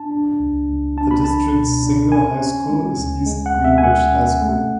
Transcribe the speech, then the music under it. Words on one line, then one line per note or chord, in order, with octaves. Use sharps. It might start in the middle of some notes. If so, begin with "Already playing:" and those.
The district's single high school is East Greenwich High School.
Already playing: D4 A5
D4
C#2
C#2
D4 A5
B5
C#2 A5
B2
D4
C#4 G#5
C#4
G#3
D2
G#3
F#5
D2
E5
G#5
G#3 F#5
C#4
A3